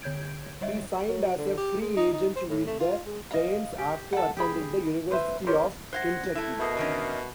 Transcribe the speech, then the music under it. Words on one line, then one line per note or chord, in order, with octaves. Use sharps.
He signed as a free-agent with the Giants after attending the University of Kentucky.
D3 C#5 G6 G#6 D7
G3 C#5 D#5 E5
F#3
D3
G4
G#3
D#4
D#4
C5
A2
A3
F4
G#3
D#5 F5
G4
A4 F#5
G4 G#4 B5
B4 C5 E5
G4 A#4 C5 C#5
C5 F5 F#5 F#6 G#6 A#6
A3 E4
B2 A#4 D#5 E5 D#6 C7
D3 D#3 C#4